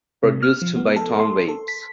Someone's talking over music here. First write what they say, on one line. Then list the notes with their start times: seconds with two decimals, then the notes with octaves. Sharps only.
Produced by Tom Waits.
0.24 C3
0.43 F6
0.62 F3
0.76 B3
0.96 A4
1.19 C6
1.48 A4
1.68 B6